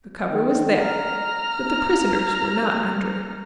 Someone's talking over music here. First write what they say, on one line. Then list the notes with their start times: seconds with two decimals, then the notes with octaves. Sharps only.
"The cover was there, but the prisoners were not under it."
0.27 D#3
0.81 A#5 F6